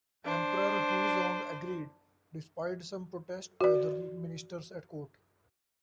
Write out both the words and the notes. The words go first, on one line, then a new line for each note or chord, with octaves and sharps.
Emperor Huizong agreed, despite some protest by other ministers at court.
D4 C5
F#4 D5